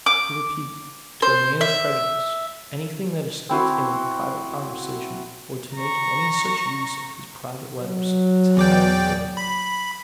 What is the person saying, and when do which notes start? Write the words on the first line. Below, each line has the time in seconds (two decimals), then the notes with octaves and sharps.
To repeat, to a man's prejudice, anything that escaped him in private conversation, or to make any such use of his private letters, is highly blamed.
0.06 D6
1.22 C5
1.61 E5
3.49 C4 E4 F#4 C6
5.75 A#5 C#6
7.81 F#3
8.57 E2 D5 G5
9.37 B5